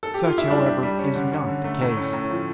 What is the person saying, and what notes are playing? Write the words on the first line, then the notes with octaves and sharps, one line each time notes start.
Such, however, is not the case.
A4
G4
F4
E4
G3 D4
G4
G3
C#4
D3
C#4
D3
A3
A2
C#4
A2
F3